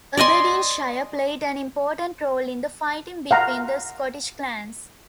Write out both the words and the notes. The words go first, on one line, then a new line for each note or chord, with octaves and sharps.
Aberdeenshire played an important role in the fighting between the Scottish clans.
D5 D#5 G#5 C6
F5 F#5 A#5